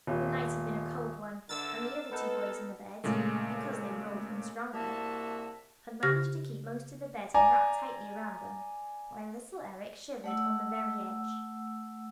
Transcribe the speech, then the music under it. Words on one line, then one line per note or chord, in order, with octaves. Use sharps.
The night had been a cold one, and the other two boys in the bed, because they were older and stronger, had managed to keep most of the bedding wrapped tightly around them, while little Eric shivered on the very edge.
D#1
D3 A#4 E5 E6 A6
B3 D#4 A4 A#4
A#2 C#3 G#3 A3
C2 A#3 F#4 E5 A5
C#3 G4 F6 A#6
D5 G#5 A#5
A3 F#5 E6